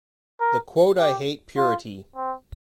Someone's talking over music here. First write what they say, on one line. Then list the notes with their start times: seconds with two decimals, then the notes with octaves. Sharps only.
The quote I hate purity.
0.40 A#4
0.99 G4
1.58 F4
2.16 C4